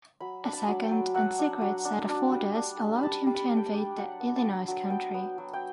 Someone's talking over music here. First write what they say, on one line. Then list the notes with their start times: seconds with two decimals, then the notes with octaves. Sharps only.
A second, and secret, set of orders allowed him to invade the Illinois Country.
0.20 F#3 B5
0.44 D4 B5
0.53 A5
0.68 F#3
0.84 G5
0.91 F#3
1.14 F#3 F#5
1.39 D4
1.61 F#3
1.85 D4
2.09 D4
2.32 G3
2.56 D4
2.79 G3
2.98 B5
3.03 G3 A5
3.27 G3
3.35 B5
3.50 G3
3.57 G5
3.66 A5
3.74 D4
3.97 F#3 F#5
4.20 B3
4.36 A5
4.44 B3 G5
4.68 F#3
4.90 B3 G5
5.14 B3
5.38 F#3
5.53 G5